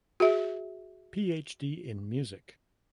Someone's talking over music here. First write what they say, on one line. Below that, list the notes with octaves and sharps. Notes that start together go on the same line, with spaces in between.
PhD in music.
F#4 G#4 E5